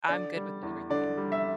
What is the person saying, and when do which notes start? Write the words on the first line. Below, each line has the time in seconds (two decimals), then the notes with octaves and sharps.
I'm good with everything.
0.08 D3 D5
0.36 G3
0.63 E2
0.90 D3 D5
1.17 G3
1.32 E5